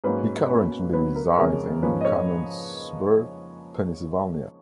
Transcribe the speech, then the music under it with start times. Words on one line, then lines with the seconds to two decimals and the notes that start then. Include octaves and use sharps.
He currently resides in Canonsburg, Pennsylvania.
0.04 G#2 F#3 A#3 C#4 B4
0.48 B2 A#3 C#4
0.93 B2 F#3 B3 B4
1.16 A#4
1.38 F2 C#3 G#3 C#4 A#4
1.83 G#2 F3 A#3 C#4 B4
2.01 D#5
2.05 C#5